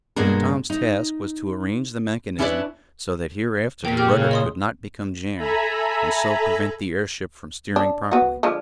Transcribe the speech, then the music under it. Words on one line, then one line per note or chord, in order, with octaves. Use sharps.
Tom's task was to arrange the mechanism so that, hereafter, the rudder could not become jammed, and so prevent the airship from steering properly.
G2 B2 G#3 A#3 D4 A#4
D#4
C#4 D4 E4 B4 C5 D5
A#2 A#3 G5 B6
G4 G#4 G5 F6
C#3
D#5 C6 D#6
A4 E5 G#5 A#5 B5
D4
B3 F#4
D3 F3 G#3